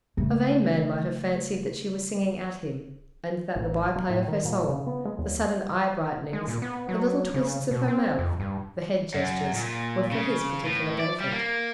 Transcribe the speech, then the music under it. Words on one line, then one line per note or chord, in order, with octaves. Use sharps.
A vain man might have fancied that she was singing at him, and that the by-play of her song--the sudden eye-brightenings, the little twists of her mouth, the head gestures, were for his particular benefit.
C#3 A3
A1
F#3
A2
D#3
A#2
C#3
B3
G#3
D#2
G#3
A#2
B3
F#3
C#3
B2
C4
F2
G2
F#2
A#2
C#3
A2
D5
G3
A#3